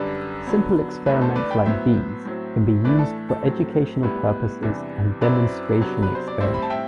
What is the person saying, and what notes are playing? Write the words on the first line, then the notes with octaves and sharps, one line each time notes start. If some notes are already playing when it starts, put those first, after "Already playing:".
Simple experiments like these can be used for educational purposes and demonstration experiments.
Already playing: F#2 D3 G3 B4 D5
D3 F#3 B3
E2 D3 A3 D4 B4
A4 C5
B4 D5
G5 B5
A2 F#3 B3 C5 E5
A2 F#3 C4
A2 E3 A3 D4 B4 D5
A4
A4
A2 F#3 C4
A2 G3 B3 E4 B4
E2 C3 E3 G3 D4
F#2 F#3 C4 E4 B4 D5
C3 F#3 B3 D4
B4
C5
D5
A2 G3 C4 E4 C5 E5
B5
A5
E5 G5